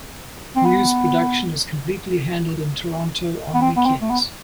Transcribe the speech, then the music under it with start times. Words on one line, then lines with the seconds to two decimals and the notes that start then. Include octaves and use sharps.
News production is completely handled in Toronto on weekends.
0.56 C4
0.65 B3
3.54 B3
3.61 C4
3.76 B3
3.86 C4
4.02 A3
4.10 B3